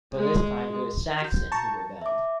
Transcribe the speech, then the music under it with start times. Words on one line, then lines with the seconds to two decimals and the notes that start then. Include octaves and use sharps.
But this time it was Saxon who rebelled.
0.15 G#3
1.22 F#4 G6
1.52 A5 A#5 C#6
2.02 E5 D6